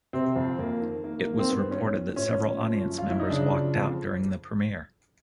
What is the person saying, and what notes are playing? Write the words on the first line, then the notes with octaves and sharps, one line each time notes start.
It was reported that several audience members walked out during the premiere.
C3 C4
F2
F2 A#3
D#3
D#3 A#3
A#3
D#3
C4
G2 B3
D#3 C#4
F3
A2 C#4
F3
F3
F#2
F4
F#2 E4
D#4
C#3 D4
F3
F2